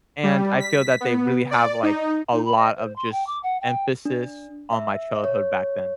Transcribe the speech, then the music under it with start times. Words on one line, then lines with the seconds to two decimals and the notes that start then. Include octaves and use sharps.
and I feel that they really have, like, a lot of just emphasis on my childhood back then.
0.23 G3
0.60 B6
1.00 B3
1.51 D5
1.83 D#4
2.32 D#4
2.45 B5
2.57 D#5
2.77 C5
2.96 C6
3.12 G5
3.27 D6
3.43 F#5
3.61 G5
4.05 D4
4.73 E5
5.24 C#5